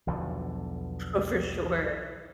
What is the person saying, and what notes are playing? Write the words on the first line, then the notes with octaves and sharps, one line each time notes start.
Oh, for sure.
B1 E2 D3 F3